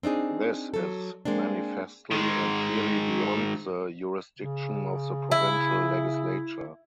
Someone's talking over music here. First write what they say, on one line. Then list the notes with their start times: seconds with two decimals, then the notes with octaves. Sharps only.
This is manifestly and clearly beyond the jurisdiction of the provincial legislature.
0.03 C4 D4 D#4 G#4
0.74 F#3 A4
1.25 G#3 A#3 C4 D4
2.11 D#3 G#3
4.39 C#3
5.32 E4